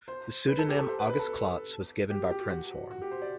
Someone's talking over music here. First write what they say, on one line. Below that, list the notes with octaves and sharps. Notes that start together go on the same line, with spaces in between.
The pseudonym August Klotz was given by Prinzhorn.
C5
B4
A4
G4
A4
C5
B4
B4
A4
G4
G4
F#4
F#4
G4
C5
D5